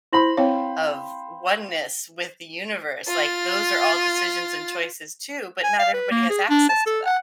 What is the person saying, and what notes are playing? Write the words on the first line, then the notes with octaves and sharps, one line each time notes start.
of oneness with the universe? Like, those are all decisions and choices too, but not everybody has access to that.
E4 C5 B5 A#6 F#7
C4 E4 C#5 F5 G5
F4 A6
G#5
F5
B4
A#3
G#4
D4
A5
A4
F#5